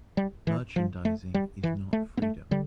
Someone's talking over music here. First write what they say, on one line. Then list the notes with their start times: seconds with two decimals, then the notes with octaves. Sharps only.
Merchandising is not freedom.
0.17 G3
0.47 E3
0.76 F3
1.05 A3
1.34 G3
1.63 E3
1.93 A3
2.17 B3
2.22 A3
2.51 D3 G3